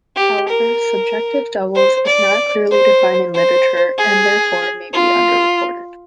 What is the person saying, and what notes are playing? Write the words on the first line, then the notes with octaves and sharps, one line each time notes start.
However, subjective doubles is not clearly defined in literature, and therefore, may be under-reported.
G4
A#4
C5
D5
C5
C5
G#4
F4